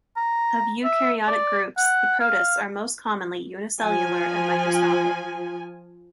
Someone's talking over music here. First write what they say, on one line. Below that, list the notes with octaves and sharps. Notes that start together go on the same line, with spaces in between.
Of eukaryotic groups, the protists are most commonly unicellular and microscopic.
A#5
E5
D5
F#5
F5
F3 G#5